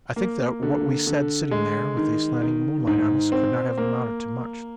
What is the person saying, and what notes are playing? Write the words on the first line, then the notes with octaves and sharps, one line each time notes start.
I think that what we said sitting there with the slanting moonlight on us, could not have amounted to much.
A#3
D3
D3
G#3
D#3
D#3
G#2
C4
A#3